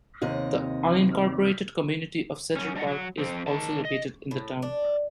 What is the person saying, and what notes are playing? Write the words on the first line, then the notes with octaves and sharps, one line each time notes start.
The unincorporated community of Cedar Park is also located in the town.
D#2 C3 D#5
F#2 B2 C#4
G3 D4 D5 D#5 F#5
F#3
F2 C4
D#3 A5
D#5
A2
D4